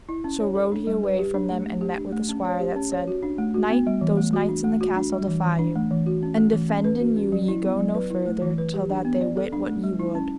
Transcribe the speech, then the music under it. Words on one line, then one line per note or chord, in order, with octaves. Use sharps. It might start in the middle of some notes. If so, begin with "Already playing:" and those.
So rode he away from them and met with a squire that said: Knight, those knights in the castle defy you, and defenden you ye go no further till that they wit what ye would.
E4
C#4
C#5
A4
D4
G3
B4
G4
D4
A3
A3
G4
D4
A3
C#4
C#5
G4
C#4
C#5
F#4
D4
A3
F#4
B3
G3
E3
A3
F#4
D4
A3
F#4
D4
G3
E3
E3
D4
A3
E3
F#4
C#4
A3
E3
C#4
B4
F#4
C#4
F#3
E4
B3
F#3
B4
E4
A3
E3
B4
G4
D4
B3
D5
A4
D4
A3
G3
E4
C#4